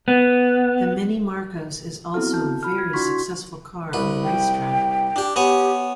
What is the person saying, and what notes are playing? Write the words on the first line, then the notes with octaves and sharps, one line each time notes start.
The Mini Marcos is also a very successful car on the race track.
B3
B3 C4 E4 F#4 A4 F6
A5 G6
F4 B5 F6
G#6
D4 E4 F#4 C6 C#6 B6
C2 B4
G5
D4 G4
B3 G4 C#5 G#5